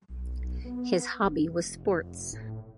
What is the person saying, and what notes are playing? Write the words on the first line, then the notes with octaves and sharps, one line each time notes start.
His hobby was sports.
B1
B3
F1
A2